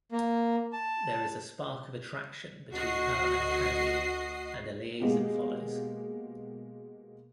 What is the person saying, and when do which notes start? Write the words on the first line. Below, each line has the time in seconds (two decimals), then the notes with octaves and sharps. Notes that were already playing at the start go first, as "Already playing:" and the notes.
There is a spark of attraction between her and Pandey and a liaison follows.
0.12 A#3
0.73 A5
2.72 D2 F#4 D#5 C7
5.00 B2 G#3 A#3 B3 G4